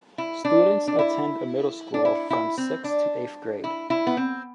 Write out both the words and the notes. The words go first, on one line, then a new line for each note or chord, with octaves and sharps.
Students attend a middle school from sixth to eighth grade.
E4
D4
D4
E4
D4
E4
E4
C4
D4
E4
E4
B3
C4